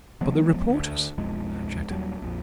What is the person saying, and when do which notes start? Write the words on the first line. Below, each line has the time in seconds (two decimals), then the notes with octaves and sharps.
"But the reporters," I objected.
0.21 F3 F#3 G#3 B3
0.68 D2
1.18 B1 F2 G#3
1.89 D#1 D#2 F#3 G3
2.22 A#1 F2